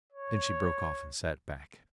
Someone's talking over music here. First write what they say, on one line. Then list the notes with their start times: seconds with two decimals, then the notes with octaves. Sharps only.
Then she broke off and sat back.
0.12 C#5